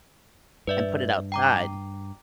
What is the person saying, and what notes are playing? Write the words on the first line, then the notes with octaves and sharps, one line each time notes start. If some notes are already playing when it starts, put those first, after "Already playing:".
and put it outside,
G2 B4 D5 E5
G5 A#5 D6